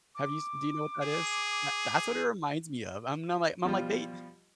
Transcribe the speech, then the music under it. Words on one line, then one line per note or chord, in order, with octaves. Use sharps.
Have you s do you know what that is? Tha that's what it reminds me of, I'm not, like I'm like, they
D6
G#4
B2 F3 G3 F4